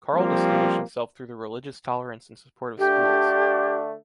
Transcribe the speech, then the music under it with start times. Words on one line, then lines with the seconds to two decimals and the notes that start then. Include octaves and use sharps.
Karl distinguished himself through the religious tolerance and support of schools.
0.14 F3 G3 A#3 C4 F4 G4
2.79 D3 A3 D4 G4